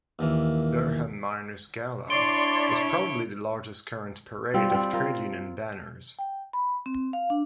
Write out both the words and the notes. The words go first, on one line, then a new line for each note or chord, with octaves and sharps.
Durham Miners Gala is probably the largest current parade of trade union banners.
D#2 A#2 E3
D4 E4 C#5 D5 C6 D7 G7
G3 C4 F4
G3 C4
F4 A#4
G5
B5
C4
F5
D4